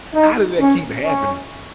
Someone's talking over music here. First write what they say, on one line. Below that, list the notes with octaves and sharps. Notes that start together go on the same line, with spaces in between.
how does that keep happening?
D#4
C#4
C#4